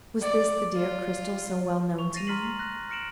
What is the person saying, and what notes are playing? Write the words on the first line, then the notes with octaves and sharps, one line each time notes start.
Was this the dear Cristel so well known to me?
D5
F4
C#6 F7
A6 A#6 C7 D#7 F7
A#5 C6 F6 B6 C7 F#7
F#6 A#6
F6 A#6 C#7 D7 E7 F#7